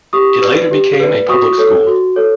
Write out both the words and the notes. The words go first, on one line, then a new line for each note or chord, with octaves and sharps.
It later became a public school.
G4 C#6 D#6
B4 D5
G4
B4 D5
F#4 C#6 D#6
A4 C#5
F#4
A4 C#5